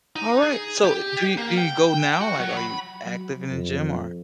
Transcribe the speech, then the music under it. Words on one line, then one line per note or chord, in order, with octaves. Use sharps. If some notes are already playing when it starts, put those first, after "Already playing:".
Alright, so i do you do you go now? Like, are you active in a gym? Or
D#4
G#4
G4
A#3
G5
F#4
F#3
B5
F#3
F2